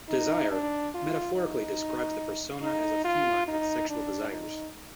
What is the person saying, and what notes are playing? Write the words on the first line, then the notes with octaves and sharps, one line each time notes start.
"Desire" metaphorically describes the persona as a feline with sexual desires.
D#4
D4
F4
D#4
D#4
F4
D#4
D4
D#4